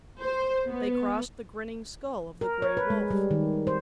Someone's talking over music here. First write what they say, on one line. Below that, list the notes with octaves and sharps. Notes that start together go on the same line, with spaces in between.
They crossed the grinning skull of the gray wolf.
C5
B3
A#4
C#5
B4
G#3
G3
D#3
C5